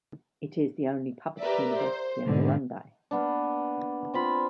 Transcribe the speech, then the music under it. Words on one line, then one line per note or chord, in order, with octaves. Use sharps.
It is the only public university in Burundi.
G4 A#4 B4 D5 E5
C5
G#2 B2 D3
A#3 B3 D4
C4 F4 B5